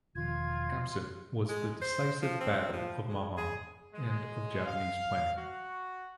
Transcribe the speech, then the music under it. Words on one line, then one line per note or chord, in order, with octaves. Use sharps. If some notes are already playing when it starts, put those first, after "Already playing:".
Absent was the "decisive battle" of Mahan, and of Japanese planning.
E1 D#3 F3 F4 G#6
G#3
C5
F3
C4
F3
G#3
G#4
G#3
F5
F#4